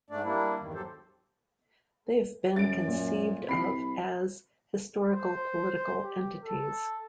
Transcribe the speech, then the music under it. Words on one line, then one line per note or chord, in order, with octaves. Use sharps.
They have been conceived of as "historical-political entities".
G#2 A3 D4 D5
G3 A#3 D4 E4
E2 G2 D#3
D#2 G#2 F#3 G4 A4 C5
F#2 A6 D7
A#2
C2 B5 C7
C5
G4
A4